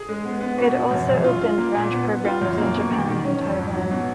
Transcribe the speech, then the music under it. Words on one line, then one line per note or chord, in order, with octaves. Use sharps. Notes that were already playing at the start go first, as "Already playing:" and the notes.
It also opened branch programs in Japan and Taiwan.
Already playing: G#4
G#3
B3
B3
B2
B2
F#2
F#2
F4
F4
A#3
A#2
B3
B3
F4
F#2
A#3
B2
D#3
D#3
C#4
F2
G#2
F#3
B2